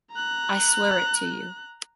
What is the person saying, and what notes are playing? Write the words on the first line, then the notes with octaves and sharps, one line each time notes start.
I swear it to you.
A#5 F#6